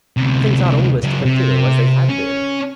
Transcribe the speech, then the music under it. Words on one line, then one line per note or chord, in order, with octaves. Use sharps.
Things ought always to continue as they had been.
D2 C3
C#3 F#3
C3
C#4